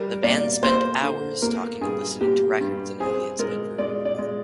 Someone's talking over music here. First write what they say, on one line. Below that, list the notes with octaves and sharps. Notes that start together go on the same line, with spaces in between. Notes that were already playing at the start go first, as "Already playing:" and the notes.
The band spent hours talking and listening to records in Elliott's bedroom.
Already playing: G3 A#4
A#3 D5
A#3 C5
D3
A#3 A#4
G2 G#4
A#3 G4
G2
C4 G#4
G#3 A#4
G#3 D5
D5
G#3